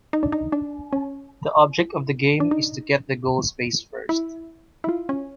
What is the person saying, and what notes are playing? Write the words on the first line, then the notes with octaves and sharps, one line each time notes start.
The object of the game is to get to the goal space first.
D#4
D4
D#4
D4
C#4
D4
D#4
E4
E4
F4
C#4